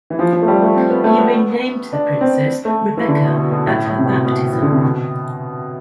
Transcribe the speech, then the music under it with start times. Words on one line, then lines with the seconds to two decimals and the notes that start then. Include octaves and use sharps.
He renamed the princess "Rebecca" at her baptism.
0.10 E3
0.19 F3
0.33 F3
0.42 A3
0.48 G3
0.62 A3
0.76 C4
0.90 B3
1.04 A3
1.18 B3
1.93 D4
2.21 C4
2.65 A3
2.97 E3
3.08 D3
3.23 B2
3.37 B2
3.51 B2
3.67 A2
3.86 A2
3.98 C3
4.06 B2
4.25 B2
4.52 E3
4.62 D3
4.72 C3
4.83 B2